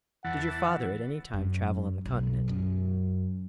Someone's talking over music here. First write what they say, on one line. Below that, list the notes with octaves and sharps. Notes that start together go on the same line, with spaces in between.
"Did your father, at any time, travel on the continent?"
E2 E3 F#5 A5
F#2
B1
F#2